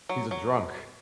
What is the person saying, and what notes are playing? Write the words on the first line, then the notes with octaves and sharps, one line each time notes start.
He's a drunk.
F#3
F#3